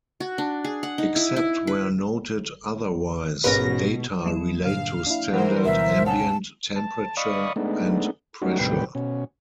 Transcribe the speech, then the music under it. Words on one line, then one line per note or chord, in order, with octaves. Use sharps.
Except where noted otherwise, data relate to standard ambient temperature and pressure.
F#4
D4
G#4
F#5
D#4
E4
E4
B4
A1 G#2 B2 C#4 A#4 B4 A#6
F#3 A#3 E7
G2 A#2 D3 F5
D4 E4
E3 F#3 G3 A#4 C5 F#5
D2 B2 E5
C#3 F#5 G#5 A5
A5
D5 D#5 F5 B5 C#6 D#6
G#3 A3 B3 D4 D#4
F#3 G3 A3 C#4 D#4 F#4
D#2 A2 C3 G3 B4 G5
B2 C#4